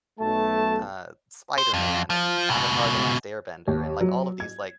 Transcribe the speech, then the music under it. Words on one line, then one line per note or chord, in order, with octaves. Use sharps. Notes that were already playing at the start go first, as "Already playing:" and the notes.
Uh, Spider-Man and Avatar: The Last Airbender, and like all of these, like,
B1 A3 A5
C5
F2
F3
C#2 B2
D#2
F#3
G#6